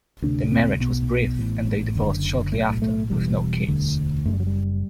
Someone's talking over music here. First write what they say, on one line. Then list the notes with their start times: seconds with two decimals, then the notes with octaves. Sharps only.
The marriage was brief and they divorced shortly after with no kids.
0.22 D2 C3 D4
0.52 C4
0.80 B1 B2 B3
1.37 A1 A2
1.96 F#1 F#2 D3
2.52 B1 A2 A3
2.82 A3
3.10 E1 E2 B2 G3
3.68 E1 D2 D3
4.24 F#1 F#2 D3 A3
4.33 G3
4.40 F#3
4.47 G3